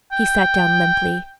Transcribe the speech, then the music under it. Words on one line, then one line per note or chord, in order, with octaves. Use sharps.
He sat down limply.
G5